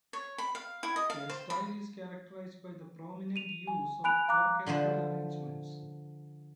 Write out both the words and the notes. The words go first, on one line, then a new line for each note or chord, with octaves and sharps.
Their style is characterized by prominent use of orchestral arrangements.
C#5
B5
F5
E4
D#5
F5
C5
B5
D#7 F7
G#5
G#5 B5 F#6 D7 F7
F5 A#5 D6 F#6
D3 F3 B4 C5